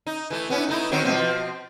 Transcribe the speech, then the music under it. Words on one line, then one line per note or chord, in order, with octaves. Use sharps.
'Not finally.
D#4
E3 A3
B3 C#4 E4
A3 D#4 E4
D#3 F#3 C4
B2 F3 C4